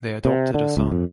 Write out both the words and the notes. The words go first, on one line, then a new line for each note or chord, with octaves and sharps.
They adopted a son.
C3
D3
C#2
F2